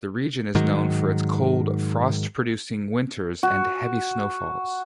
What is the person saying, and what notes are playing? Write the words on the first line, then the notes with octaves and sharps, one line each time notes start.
The region is known for its cold, frost-producing winters and heavy snowfall.
G#2 D#3 F#3
F#4